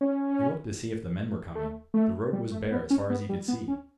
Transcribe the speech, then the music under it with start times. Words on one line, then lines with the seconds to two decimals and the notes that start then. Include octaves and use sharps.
He looked to see if the men were coming; the road was bare as far as he could see.
0.01 C#4
1.55 A3
1.94 A3
2.33 G3
2.51 A3
2.71 B3
2.90 C#4
3.10 B3
3.29 G3
3.48 B3
3.68 C#4